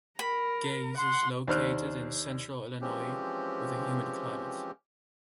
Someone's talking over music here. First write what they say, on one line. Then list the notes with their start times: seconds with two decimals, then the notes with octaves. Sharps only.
Gays is located in Central Illinois, with a humid climate.
0.19 A#4 B5
0.97 F#5 C6
1.48 D#2 D4 C5 F6 F#6
2.81 E3 F3 G#3 C4 C#4 G4